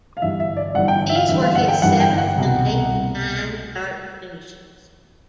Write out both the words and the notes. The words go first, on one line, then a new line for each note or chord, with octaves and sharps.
These were his seventh and eighth nine-dart finishes.
F5
G1 G2 E3 G3 E5
E5
D5
G1 G2 E3 G3 F#5
G5
E5
F5
G1 G2 E3 G3 E5
F5
F#5
G5
G1 G2 E3 G3 F#5
G5
F#5
C2 B2 G3
C2 B2 G3